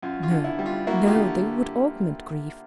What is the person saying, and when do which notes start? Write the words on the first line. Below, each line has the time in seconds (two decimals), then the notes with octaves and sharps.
No, no, they would augment grief.
0.03 F#2 F4
0.23 F4
0.31 D3
0.44 E4
0.59 G3
0.66 F4
0.87 A#3 E4 F#4
1.07 F4 G4
1.15 D3